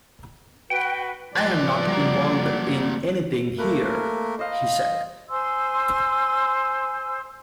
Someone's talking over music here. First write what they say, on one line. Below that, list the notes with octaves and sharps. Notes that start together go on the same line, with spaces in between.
"I am not involved in anything here," he said.
F#4 B4 G5
F3 B4 D5 A5
F#3 G3 A#3
A3 A#3 A#4 B4
C5 D#5 F5
C5 G#5 C6 E6